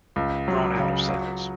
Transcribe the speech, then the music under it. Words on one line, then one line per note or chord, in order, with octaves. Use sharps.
grown out of sales.
C#2
F#3
C#3
F#3